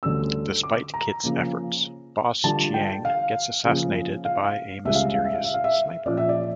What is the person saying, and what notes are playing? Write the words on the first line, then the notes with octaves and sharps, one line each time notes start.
Despite Kit's efforts, Boss Chiang gets assassinated by a mysterious sniper.
D2 D3 G3 C#4 E6
D6
A#5
C#3 F3 A#3
D3 G3 D4 F4 A5
G5
F5
C#3 F3 A#3
F5
C#2 C#3 G3 E5
F5
E5
F5
E5
F5
E5
F5
E5
A#2 F3 C#4 D5
E5
D5